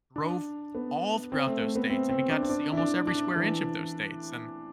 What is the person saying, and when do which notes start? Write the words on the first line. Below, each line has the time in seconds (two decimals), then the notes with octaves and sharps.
drove all throughout those states, and we got to see almost every square inch of those states. And
0.16 D4
0.75 B3
1.32 C4
1.47 A3
1.61 A3
1.76 B3
1.90 C4
2.09 C4
2.30 D4
2.43 C4
2.49 D4
2.72 E4
2.77 D4
3.07 D4
3.36 E3